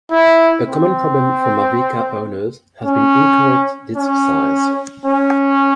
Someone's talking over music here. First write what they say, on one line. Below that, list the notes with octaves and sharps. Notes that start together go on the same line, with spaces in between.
A common problem for Mavica owners has been incorrect disc size.
E4
C4
C#4
C#4
C#4